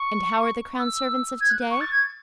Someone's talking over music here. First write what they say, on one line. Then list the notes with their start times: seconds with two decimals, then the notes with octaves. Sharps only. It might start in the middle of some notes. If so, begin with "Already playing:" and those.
And how are the crown servants of to-day?
Already playing: C#6
0.79 E6
1.41 G#6
1.50 F#6
1.70 C#6
1.81 A6
1.91 G#6